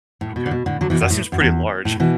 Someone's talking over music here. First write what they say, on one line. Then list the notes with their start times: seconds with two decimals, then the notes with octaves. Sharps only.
Okay, 'cause that seems pretty large.
0.21 A2
0.36 B2
0.46 D3
0.51 B2
0.66 A2 D3
0.81 D3 F#3
0.90 B2 E3
1.01 F#2
1.10 A2
1.32 F#2
1.40 E2
1.85 A2
2.00 B2 E3